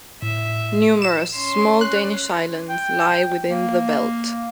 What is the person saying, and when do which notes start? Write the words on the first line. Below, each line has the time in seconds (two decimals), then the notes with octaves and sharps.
Numerous small Danish islands lie within the belt.
0.22 A2 E5
1.02 E7
1.35 C#4 C6
1.81 F#6
2.69 G5
3.49 A#3